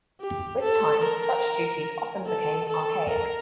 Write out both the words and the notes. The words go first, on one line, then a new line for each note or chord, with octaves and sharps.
With time, such duties often became archaic.
G4
A4
A#4
A4
A4
A#4